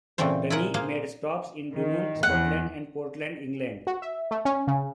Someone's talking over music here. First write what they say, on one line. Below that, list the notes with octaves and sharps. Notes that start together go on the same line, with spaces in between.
Tunny made stops in Dunoon, Scotland and Portland, England.
A#2 C#3 E3 A3 C4 C5
E4 F4 G#4 A#4 F#5
A#3 G#4 C5 F5
D#3
E2 F#5
F#4
E5
A3
C#4
C#3